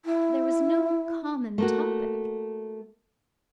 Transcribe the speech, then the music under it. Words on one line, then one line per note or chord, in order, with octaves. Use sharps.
There was no common topic.
E4
A3 A#3 F#4